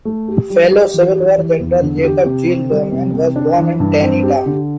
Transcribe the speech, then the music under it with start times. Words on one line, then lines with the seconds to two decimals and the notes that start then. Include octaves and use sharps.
Fellow Civil War general Jacob G. Lauman was born in Taneytown.
0.05 A3
0.28 G4
0.50 G3
0.72 G4
0.94 E3
1.16 G4
1.38 E3
1.60 E2
1.81 D3
2.04 G4
2.25 C3
2.48 C4
2.70 G3
2.92 C3
3.14 C3
3.36 D4
3.58 E3
3.80 G2
4.02 C4
4.23 G4
4.46 D3